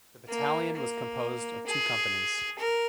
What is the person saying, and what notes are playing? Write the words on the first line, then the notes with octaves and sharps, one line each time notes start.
The battalion was composed of two companies.
A#3
A#3
G#4
A#4